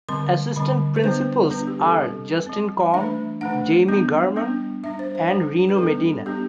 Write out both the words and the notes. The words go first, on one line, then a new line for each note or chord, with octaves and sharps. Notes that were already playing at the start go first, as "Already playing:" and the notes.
Assistant principals are Justin Conn, Jaime Garman, and Reno Medina.
D3 G3 C4 C6
D3 G3 C4 B5
B4
G3 B3 D4 C5
G3 B3 D4 B4
G4
A4
G3 C4
G3 C4
E3 A3 D4 E5
E3 A3 D4 F#5
G3 B3 D4
G3 B3 D4
G3 D4 E5
C5
C5
G3 D4
B4
G3 B3 D4 A4
G3 B3 D4 G4